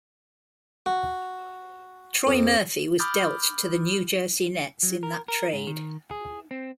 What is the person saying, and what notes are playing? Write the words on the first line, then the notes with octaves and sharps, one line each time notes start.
Troy Murphy was dealt to the New Jersey Nets in that trade.
F#4
F2
B5 D6 D#6 F6 G6 A6
F#3
A#4
A#4
G#2
D#3
G#4
C4